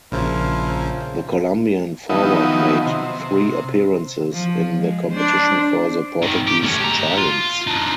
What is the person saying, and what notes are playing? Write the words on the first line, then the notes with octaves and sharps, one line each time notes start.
The Colombian forward made three appearances in the competition for the Portuguese giants.
A#1 C#3 F3 E4 A#4 C5
D#3 F3 F#3 B3 D#4 E4
C3
F3
G#3
D4 C5
G#2 D#3
G4
A3 C#4
G4 A#5
F4
D4 D#4